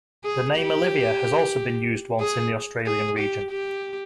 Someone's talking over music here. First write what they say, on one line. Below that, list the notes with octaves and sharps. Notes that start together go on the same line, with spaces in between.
The name Olivia has also been used once in the Australian region.
G#4
G4
G#4
G#4
G4
G4